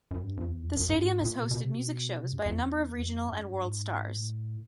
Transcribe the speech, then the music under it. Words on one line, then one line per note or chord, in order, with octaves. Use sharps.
The stadium has hosted music shows by a number of regional and world stars.
F#2
G2
F2
E2
F2
F#2
G2
G#2
A#2
B2
B2
C3
B2
C3
F#2
F2
E2
F2
G2
F#2
G2
G#2
A2